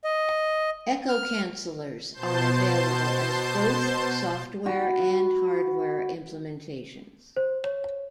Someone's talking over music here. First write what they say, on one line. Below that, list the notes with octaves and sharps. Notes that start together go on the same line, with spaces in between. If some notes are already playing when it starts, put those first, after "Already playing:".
Echo cancelers are available as both software and hardware implementations.
D#5
F6
B2 C5 A5 C6 G6
F#4 B5
C5
C#5